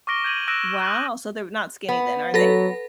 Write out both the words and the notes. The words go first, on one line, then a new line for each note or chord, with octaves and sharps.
Wow, so, they're not skinny then, are they?
C#6 D6 F6 A#6 D7 G7
G6 G#6 D#7 F#7
D6 E6 F#6 A#6 D7 E7
G#6
D#6 F#6 F#7
B3
F#3 A4 B4 A#6